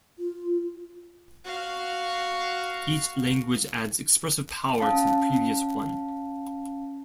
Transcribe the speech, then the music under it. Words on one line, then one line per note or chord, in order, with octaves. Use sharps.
Each language adds expressive power to the previous one.
F4
F#4 F5
C#4 F5 A5